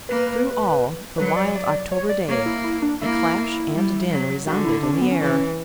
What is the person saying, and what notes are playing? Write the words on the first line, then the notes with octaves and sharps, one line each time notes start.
Through all the wild October day, the clash and din resounded in the air.
A#3 B4
F#3 B4
D5
D5
C#5
D5
A#3 C#5
E4
E4
D4
A#3 E4
G3
F#3
D3 F#4
E4
D4
C#4
B3
C#4
E3